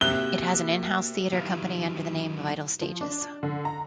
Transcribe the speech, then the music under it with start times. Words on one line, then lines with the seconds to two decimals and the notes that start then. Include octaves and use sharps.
It has an in-house theatre company under the name Vital Stages.
0.01 C3 A#3 F#4 E5 F#6 G7
1.33 D#3 F#3 B3 E4 F5
2.81 F3
3.01 D4
3.43 D3
3.65 A#5